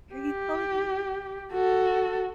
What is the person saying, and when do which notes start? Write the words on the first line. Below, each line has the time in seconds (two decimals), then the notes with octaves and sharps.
why are you calling me?"
0.14 G4
1.53 F#4 A4